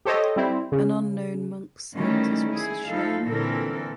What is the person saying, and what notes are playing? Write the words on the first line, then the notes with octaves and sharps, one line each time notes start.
An unknown monk saint is also shown.
G4 A4 C5 C#5 D#5
G3 C4 E4 C5
C#3
D#3 E3 G3 A3 C#4
E4 G#4
F3 D#4 E4 A4 F5
A#2 D3 E3 C4 A4 A#4